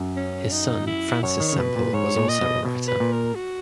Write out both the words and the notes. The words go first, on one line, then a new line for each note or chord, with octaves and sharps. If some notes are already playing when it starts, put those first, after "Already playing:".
His son, Francis Sempill, was also a writer.
Already playing: F#2
C#4
D#4
E4
F#2 C#5
D#3
C#3 C#5
B2 B4
A#2
G#2 C#5
A#2
D#5
B2
B2
B4
A#2
A#4
F#4